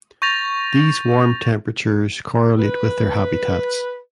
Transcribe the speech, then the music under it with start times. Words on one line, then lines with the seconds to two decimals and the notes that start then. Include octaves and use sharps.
These warm temperatures correlate with their habitats.
0.22 C#6 G6 A6 A#6 F7
2.59 B4